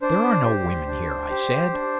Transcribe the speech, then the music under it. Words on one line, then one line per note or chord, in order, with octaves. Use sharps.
'There are no women here,' I said.
D4 C5
G4
D4
G4
D4